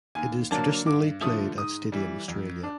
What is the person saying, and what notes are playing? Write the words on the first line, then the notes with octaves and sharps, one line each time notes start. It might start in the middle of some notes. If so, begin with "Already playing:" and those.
It is traditionally played at Stadium Australia.
D#2 G#5
D3 F#3 A#3 D4 A5
G2 D6
D3 F3 A3 D#6
G#2 D#6
E3 G3
F2
D4